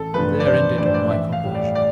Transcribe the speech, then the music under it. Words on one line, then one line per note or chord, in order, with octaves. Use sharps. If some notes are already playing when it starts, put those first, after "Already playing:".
And there ended my conversion.
Already playing: A1 A4
G2 F3 A3 B4
D5
A1 C5
G2 F3 A3 D5
C5
D5
A1 E5
F5
A2 G3
D5
D5